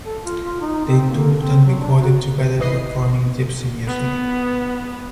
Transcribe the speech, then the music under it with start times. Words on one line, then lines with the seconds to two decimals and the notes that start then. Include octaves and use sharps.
They toured and recorded together performing Gypsy music.
0.04 A4
0.25 F4
0.43 F4
0.61 D#4
0.85 C4
1.10 A#3
1.37 C4
1.65 F#3
1.80 D4
1.99 F#4
2.58 G#1 E3 B4 D#5 C7
3.88 B3